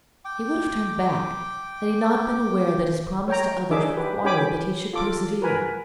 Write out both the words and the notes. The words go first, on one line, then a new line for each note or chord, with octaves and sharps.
He would have turned back had he not been aware that his promise to others required that he should persevere.
G5 D6
C#5 G5 A#5
D4 D#4 G#4 E5 D6
G4 B4
C#4 G4 G5 G#5 B5 D6
F4 A4 D6
A#4 B4 G#5